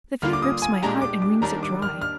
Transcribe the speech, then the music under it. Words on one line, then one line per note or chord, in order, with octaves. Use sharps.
The fear grips my heart and wrings it dry.
D3 G3 A#3 F4 F6
D6
D#6
G#5
A#2 G#3 D4 G4 A#5
D6
D6
D#2 D#3 G3 D4 A#5
D6
F6
F6